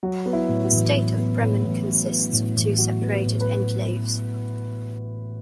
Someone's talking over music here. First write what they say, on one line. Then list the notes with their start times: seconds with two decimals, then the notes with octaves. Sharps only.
The state of Bremen consists of two separated enclaves.
0.03 F#3 F#4
0.26 B3
0.33 E4
0.49 A2
0.64 F#4
0.72 A1
0.95 F#3
1.18 B3
1.41 A2
1.64 A1
1.87 F#3
2.10 B3
2.33 A2
2.56 A1
2.78 F#3 F#4
3.02 B3
3.26 A2
3.40 B4